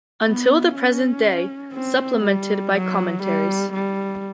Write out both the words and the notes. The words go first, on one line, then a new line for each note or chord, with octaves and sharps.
Until the Present Day, Supplemented by Commentaries.
B3
C#4
C4
G3
F#3
G3
G3